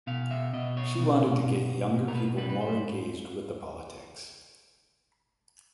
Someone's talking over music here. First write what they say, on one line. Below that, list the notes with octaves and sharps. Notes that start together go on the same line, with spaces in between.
She wanted to get younger people more engaged with the politics.
B2 F5
E5
B2 D#5
C#5
B2
B2
B2
A#4
B4
G3 B4
B4
C5